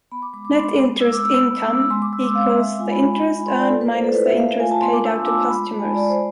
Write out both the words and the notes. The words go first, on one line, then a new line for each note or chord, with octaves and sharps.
Net interest income equals the interest earned minus the interest paid out to customers.
B3 B5
D6
G#3 D6
D6
B3 C6
G#3 D6
B3 E6
D6
B3 E6
E6
B3
B3
G#3 C6
D6
G#3 E6
D6
C4 F5
G#3 E5
F4 G#5
B5
G#3 B5
B5
D4 G#5
B5
F4 C6
D5
A3 A4
B4
A3 C5
A4
E4 B4
E5
A3 F5
F5
F4 G#5
A5
B3 C6
D6
D4 E6
F4 D6
G#3 B5
A5
G#3
G#5
F4 D5
C5